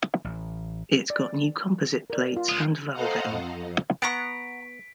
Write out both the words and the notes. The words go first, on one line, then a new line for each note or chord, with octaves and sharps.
It got new composite plates and valving.
A1
D5
A#4 D5
F4
G#3 F4 D#6
A4 C5 D#5 F5 F#5 A#5
F2
B3 F#5 A#5 C#6 B6 D7